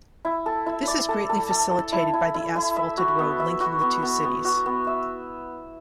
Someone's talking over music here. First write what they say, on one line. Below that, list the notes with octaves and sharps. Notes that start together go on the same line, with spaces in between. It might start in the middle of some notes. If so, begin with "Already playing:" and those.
This is greatly facilitated by the asphalted road linking the two cities.
E4
A4
E4
D5
A4
A4
A4
A4
E4
E4
E4
E4
E5
F#4
B3
E5
F#4
B3
B3
B3
F#4
B3
E5